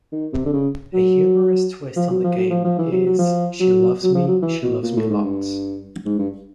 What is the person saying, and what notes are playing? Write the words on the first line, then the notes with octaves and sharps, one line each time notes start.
A humorous twist on the game is She loves me, she loves me lots.
D#3
C3
D3
C#3
F#3
F3
F#3
F3
F#3
F3
F3
E3
F#3
F#3
F3
F#3
F#3
F3
F#3
E3
B2
A#2
A2
G#2
G2
G#2
G2